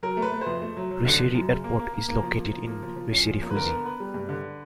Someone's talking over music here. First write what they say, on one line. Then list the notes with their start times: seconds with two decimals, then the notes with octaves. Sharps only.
Rishiri Airport is located in Rishirifuji.
0.03 F#3 A#4
0.17 A3
0.22 B4
0.32 A3
0.41 F2 C5
0.62 A3
0.77 F#3
0.91 F#3
1.05 D3
1.20 F3
1.35 F#2
1.49 C#3
1.64 A#3
1.79 A#3
1.94 A#3
2.08 A#3
2.23 F3
2.39 A#3
2.53 F3
2.67 A#3
2.82 F3
2.96 F3
3.11 C#4
3.26 F3
3.42 A#3
3.50 B4
3.56 D3 A#4
3.70 B3
3.85 B3 B4
4.00 G3
4.14 G2
4.29 D3